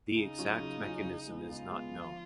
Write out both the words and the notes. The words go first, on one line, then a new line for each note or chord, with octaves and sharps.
The exact mechanism is not known.
C#3 D#4
F#3 C#4 F4
C#3
F#3 C#4 F4
C#3
G#3 B3
C#3 F4
G#3 B3
F3